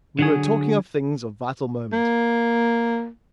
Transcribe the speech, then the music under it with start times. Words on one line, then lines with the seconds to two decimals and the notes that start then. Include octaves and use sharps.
We were talking of things of vital moment.
0.19 D3 F#3 G#4
1.93 A#3